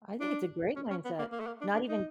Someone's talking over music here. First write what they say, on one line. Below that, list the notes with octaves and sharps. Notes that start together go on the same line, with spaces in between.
I think it's a great mindset. Not even
D4
C#4
C#4
B3
A#3
A#3
A3
A#3
D4
D4
D#4